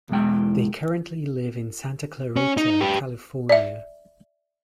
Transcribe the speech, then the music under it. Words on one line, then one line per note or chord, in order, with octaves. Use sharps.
They currently live in Santa Clarita, California.
B1 E2 G#3 G5
C#4 C#5
D#4
G4 B4
D5 E5